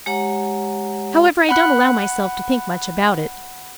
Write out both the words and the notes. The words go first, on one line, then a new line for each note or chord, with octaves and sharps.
However, I don't allow myself to think much about it.
G#3 G4 C#5 F#5 A#5
F#5 B5 F#6